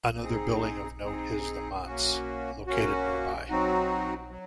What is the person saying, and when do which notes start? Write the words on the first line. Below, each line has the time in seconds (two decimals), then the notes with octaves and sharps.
Another building of note is The Manse, located nearby.
0.22 C4 D#4 G#4
1.04 C4 D#4 G#4
1.85 A#3 C#4 F#4
2.67 A#3 C#4 F#4
3.48 F#3 C4 D#4 F#4
4.30 F#3